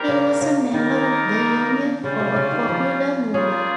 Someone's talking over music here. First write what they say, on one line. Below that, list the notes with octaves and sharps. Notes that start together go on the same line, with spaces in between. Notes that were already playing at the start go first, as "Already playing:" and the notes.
He was a member of the Union for a Popular Movement.
Already playing: D#3 G3 C4 G4 A#4
C#3
C#3
D#3 G3 A#3 D#4 A#4
C#3 G3 C#4 F4
C3
C#3
D#3
F3
G3 A#3 C#4 F4 G#4